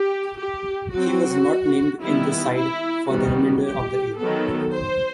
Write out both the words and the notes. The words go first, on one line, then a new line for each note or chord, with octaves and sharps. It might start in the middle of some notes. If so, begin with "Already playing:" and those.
He was not named in their side for the remainder of the year.
Already playing: G4
G4
F#3 C4 F#4
D#3 G3 B3 E4
E4
D#3 G3 B3 F#4
G4
D#3 F#3 B3 A4
C5